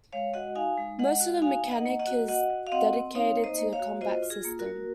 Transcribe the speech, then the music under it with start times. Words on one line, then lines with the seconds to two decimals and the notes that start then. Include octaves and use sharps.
Most of the mechanic is dedicated to the combat system.
0.13 G#3 C#5 F5
0.34 F#4 D#5 F#5
0.55 D#4 F5 G#5
0.77 G#3
0.99 G#3 D#5 F#5
1.20 F#4
1.42 D#4 F5 G#5
1.64 A#3
1.71 D#5 F#5
1.86 A#3
1.99 D#5 F#5
2.07 F#4
2.28 F#4 D#5 F#5
2.50 F#4
2.67 F5
2.72 C4 D#5 F#5
2.93 C4
3.15 D#4 C#5 F5
3.37 A#3
3.44 C5 D#5
3.58 A#3
3.73 C#5 F5
3.80 F#4
4.01 F4 C5 D#5
4.23 F4
4.30 G#4
4.45 A#3
4.59 F#4 A#4
4.66 A#3